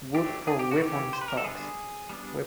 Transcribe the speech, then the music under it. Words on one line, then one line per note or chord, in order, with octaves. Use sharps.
Wood for weapon stocks.
F#3 A3 D4 G4
G#4
G4
F#4
E3 A3 C#4 G4
C5
B4
A#4
A4
D3 G3 B3 D4 G#4
G3 B3 D4